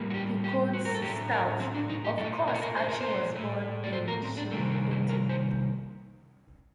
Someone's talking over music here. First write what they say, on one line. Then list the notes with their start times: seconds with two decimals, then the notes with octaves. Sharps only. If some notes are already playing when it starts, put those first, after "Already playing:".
He quotes Stout: Of course Archie was born in Chillicothe.
Already playing: A2 G3 A#3
0.10 F#4
0.14 G4
0.44 G4
0.73 F#4
0.85 A#4
0.94 A4
1.02 A2 F#3 A3 G4
1.31 A#4
1.60 C4
1.75 D4
1.89 D#4
2.05 G4
2.18 A#2 A3 A4
2.48 A#4
2.54 A4
2.62 A#4
2.76 C5
2.89 A#4
3.00 C5
3.36 A2 A3
3.84 D5
3.93 C5
4.08 A#4
4.23 C4
4.37 D4
4.51 C3 D#3 G3 A#3 A4
4.72 A#4
4.91 C5
5.09 A#4
5.29 C5